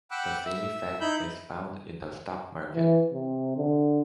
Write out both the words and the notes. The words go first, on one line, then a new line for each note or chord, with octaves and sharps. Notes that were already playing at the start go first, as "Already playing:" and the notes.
The same effect is found in the stock market.
F#5 G5 B5 D6 E6 F#6
E5
D#4 E4 B5 G6
E3
C3
D3